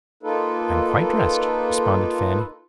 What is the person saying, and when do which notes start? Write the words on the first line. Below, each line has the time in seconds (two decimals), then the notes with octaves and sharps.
"I am quite dressed," responded Fanny.
0.23 A#3 D#4 F4 A4 B4